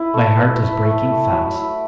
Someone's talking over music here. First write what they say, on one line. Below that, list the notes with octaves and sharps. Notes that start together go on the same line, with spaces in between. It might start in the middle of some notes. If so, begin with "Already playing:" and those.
My heart is breaking fast.'
Already playing: E4 B4
A3
B4
B4
A3
A3
F#3
E4